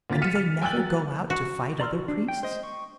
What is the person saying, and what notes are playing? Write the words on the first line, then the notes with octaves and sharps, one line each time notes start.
"And do they never go out to fight other priests?"
D2 A#3 F4 A6 B6
F6 B6 C#7 D#7 E7
F6
G5 G#5 E6 F#6 A6 F#7
F#3
F#4
D5 A#5 C6 E6 F6
F#4
D4
G5
C5 D#5
C#6